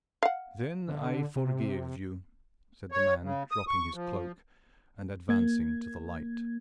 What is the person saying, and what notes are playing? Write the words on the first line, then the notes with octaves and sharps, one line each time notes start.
"Then I forgive you," said the man, dropping his cloak, and advancing to the light.
F5 F#5
D3
C3
C#5
C#3
D#6
C#6
F3
A#3 G#6